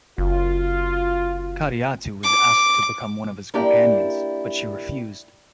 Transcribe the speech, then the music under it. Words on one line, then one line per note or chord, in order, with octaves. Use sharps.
Kadiatu was asked to become one of his companions, but she refused.
F#1 F4
D6
A#3 D4 E4 G4 D5 G5